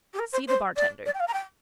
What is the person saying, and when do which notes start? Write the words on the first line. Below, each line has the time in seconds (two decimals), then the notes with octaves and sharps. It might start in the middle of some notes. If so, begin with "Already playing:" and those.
See the bartender.
0.13 G4
0.19 A#4
0.32 C5
0.48 C5
0.76 D5
1.06 D5
1.14 G5
1.20 F5
1.28 A#5
1.33 G5